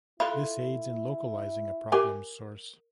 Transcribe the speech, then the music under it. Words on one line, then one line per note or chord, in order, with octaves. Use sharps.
This aids in localizing a problem's source.
E4 F4 A4 B5
G4 A#4 G#5